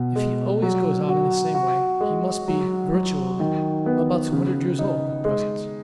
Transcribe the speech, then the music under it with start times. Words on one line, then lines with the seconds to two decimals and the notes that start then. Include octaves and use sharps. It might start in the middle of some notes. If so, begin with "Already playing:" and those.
If he always goes on in the same way, he must be, virtually, about two hundred years old, at present.
Already playing: B2
0.16 G#3
0.62 F#3
1.09 F#4
1.55 F#4
2.01 G#3
2.48 F#3
2.94 F#3
3.40 D#3
3.86 B3
4.33 C#3
4.79 D#4
5.25 G#3